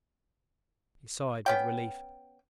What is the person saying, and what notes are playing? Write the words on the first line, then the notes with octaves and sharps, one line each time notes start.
He sighed with relief.
B3 C#4 G5